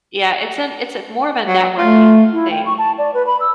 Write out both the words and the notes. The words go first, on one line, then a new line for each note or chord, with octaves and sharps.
Yeah, it's an it's a more of a networking thing.
F#3
A3 F4
E4
G5
C#6
A5
D5
B4
B5
E6